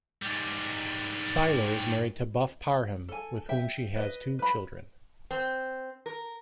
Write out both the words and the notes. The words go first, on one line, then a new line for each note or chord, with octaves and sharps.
Syler is married to Buff Parham, with whom she has two children.
G#2 G3
A4 G#5
E5 G5
B4 D#5
B4 B5
C4
A#4